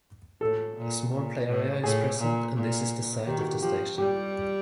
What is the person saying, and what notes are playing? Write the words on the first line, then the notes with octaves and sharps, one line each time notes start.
A small play area is present and this is the site of the station.
A2 A4
A#2
A#2
A2
A2 G#4
A#2
A#2
D#3 G4
F#4
G4
F3 G4
G3 G4